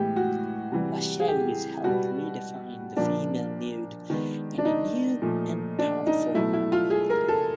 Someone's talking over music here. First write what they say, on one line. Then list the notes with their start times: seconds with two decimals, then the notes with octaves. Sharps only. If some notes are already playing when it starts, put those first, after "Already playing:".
Lachaise helped redefine the female nude in a new and powerful manner.
Already playing: A2 E3 G#3 B3 G4
0.16 F#4
0.72 C3 E3 G3
1.20 G#4
1.28 G4
1.84 B2 G3 B3 F#4
2.97 A#2 F3 A#3 D4
4.10 D#3 G#3 B3
4.58 D4
4.65 D#4
5.22 A#2 F3 A3
5.79 D4
6.07 D#4
6.34 B2 F#3 A3 E4
6.53 E4
6.72 F4
6.90 G#4
7.10 A#4
7.28 A4